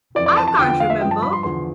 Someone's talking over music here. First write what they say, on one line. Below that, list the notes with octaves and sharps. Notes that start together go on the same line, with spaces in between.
I can’t remember.
F2 E3 D5
D5
A5
A5
E2 D3 F3 G5
G5
F5
E5
G2 F3 G5
A5
B5
C6
E2 D3 F3 C6